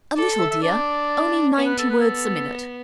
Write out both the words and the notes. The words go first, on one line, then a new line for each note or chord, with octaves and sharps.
'A little, dear; only ninety words a minute.'
A4 D5
E5
E5
D4 D5
B3
B4
A4
B4
A4